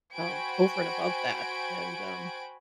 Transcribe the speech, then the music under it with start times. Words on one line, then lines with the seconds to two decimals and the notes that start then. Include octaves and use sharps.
um, over and above that and, um
0.14 F#4 C5 G5 G#5 B5 D7